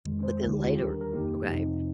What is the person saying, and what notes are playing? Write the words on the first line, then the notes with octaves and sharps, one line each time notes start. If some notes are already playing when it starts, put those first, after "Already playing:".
But then later, okay,
F2 D#3 G#3
C5
D2 D3 G#3 D#4
G4
F4
D#2 D#3 G3 D4 G4
A#4
A#4
F2 D#3 A#3 D#4 G4
F2 C3 F3 C4 D#4